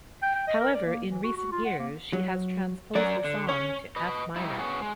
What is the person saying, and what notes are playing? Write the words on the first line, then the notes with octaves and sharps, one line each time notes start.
However, in recent years, she has transposed the song to F minor.
G5
G5
D#5
A#4
D5
A#3
E3
F#4
F#4
F4
F#5
A#3
F#3
F#3 A#4 D5
D3
C#4 C#5
B4 D#5
G3 D#4 E4
B3 C#4 F#4 G#4
G#3